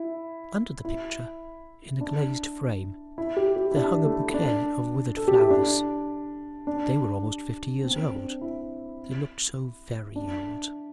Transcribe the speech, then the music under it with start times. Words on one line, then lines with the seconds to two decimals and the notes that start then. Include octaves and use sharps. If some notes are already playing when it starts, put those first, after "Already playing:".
Under the picture, in a glazed frame, there hung a bouquet of withered flowers; they were almost fifty years old; they looked so very old!
Already playing: E4
0.85 E4
2.01 D4
3.18 E4
3.37 G4
3.56 G4
3.72 E4
3.76 D4
4.05 A3
4.34 D4
5.17 A4
5.28 G4
5.39 E4
5.50 D4
6.67 D4
7.84 C4
8.13 D4
8.42 E4
10.16 D4